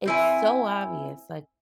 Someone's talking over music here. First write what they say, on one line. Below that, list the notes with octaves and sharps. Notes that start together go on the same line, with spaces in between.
it's so obvious, like,
C4 E4 G#5